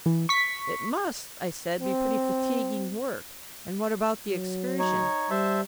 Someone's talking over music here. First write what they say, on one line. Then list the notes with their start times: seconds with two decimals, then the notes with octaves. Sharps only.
"It must," I said, "be pretty fatiguing work, and what about the Excursion?"
0.06 E3
0.29 C#6 B6
1.80 C4
4.29 F#3
4.79 D#4 C#5
5.30 G3 C5 E5 A5